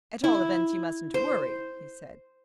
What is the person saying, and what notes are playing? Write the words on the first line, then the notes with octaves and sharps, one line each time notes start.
"At all events, you mustn't worry," he said.
E4
C5